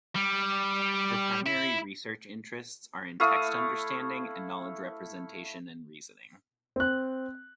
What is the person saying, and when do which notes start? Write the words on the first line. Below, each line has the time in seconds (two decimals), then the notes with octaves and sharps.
Her primary research interests are in text understanding and knowledge representation and reasoning.
0.15 G3
1.46 E4
3.20 A3 E4 F5 D#6
6.76 C4 F#6